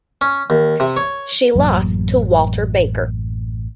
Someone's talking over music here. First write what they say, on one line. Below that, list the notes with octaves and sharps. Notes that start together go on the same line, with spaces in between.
She lost to Walter Baker.
C#4
D#2
C3
C#5
A1 F#2 F#3 A#3